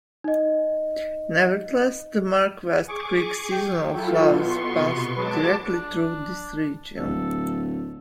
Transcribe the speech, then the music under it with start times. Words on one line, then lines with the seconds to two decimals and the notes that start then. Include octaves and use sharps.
Nevertheless, the Mark West Creek's seasonal flows pass directly through this region.
0.24 D#4 D#5
2.88 G#4 C#6 D6
3.51 G5
3.92 F#3 E4 F4 A4
4.28 B2 B3 C6 C#6
4.80 C3
5.16 F#3 G#3 B4 A5 D6
5.65 D4
6.98 D1 A4